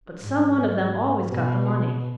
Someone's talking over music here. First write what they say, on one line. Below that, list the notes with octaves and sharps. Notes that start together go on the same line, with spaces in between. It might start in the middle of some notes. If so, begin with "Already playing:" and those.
But some one of them always got the money.
G#2
B2